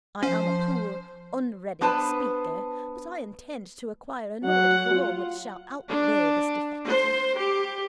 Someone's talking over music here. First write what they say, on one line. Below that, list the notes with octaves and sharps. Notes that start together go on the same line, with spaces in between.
I am a poor, unready speaker, but I intend to acquire a knowledge of the Law which shall outweigh this defect.
F3 C#4 C5
B3 D4 B4 C5 A5
F#3 F#5
F4
D4
C5
G4